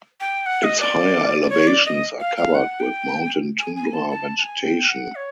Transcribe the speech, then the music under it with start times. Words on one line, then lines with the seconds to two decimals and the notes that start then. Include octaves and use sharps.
Its higher elevations are covered with mountain tundra vegetation.
0.20 G5
0.46 F#5
0.63 D#5
0.80 D5
1.42 D5
1.50 C#5
1.67 D5
1.86 D#5
2.20 F5
2.37 F5
2.55 F#5
2.80 G5
3.59 G#5
3.76 G#5
3.93 A5
4.11 A5
4.37 A5
4.42 G#5
4.63 G5
4.89 F#5
5.15 C#5